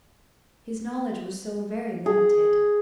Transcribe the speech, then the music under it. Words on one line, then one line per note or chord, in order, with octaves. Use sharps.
His knowledge was so very limited.
G#4